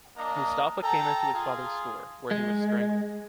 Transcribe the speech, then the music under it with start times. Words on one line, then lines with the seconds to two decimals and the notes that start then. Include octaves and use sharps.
Mustafa came into his father’s store, where he was strangled.
0.16 A#3 D4 D#5 A#5
0.83 A4 G5 A5 A#5
1.33 F4 G#4
2.31 G#3